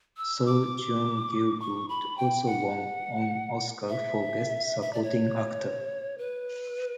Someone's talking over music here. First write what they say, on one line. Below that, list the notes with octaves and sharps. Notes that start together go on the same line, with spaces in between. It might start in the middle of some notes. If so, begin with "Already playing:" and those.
Sir John Gielgud also won an Oscar for Best Supporting Actor.
E6
D6
C#6
B5
G5
F#5
E5
E5
D5
C#5
B4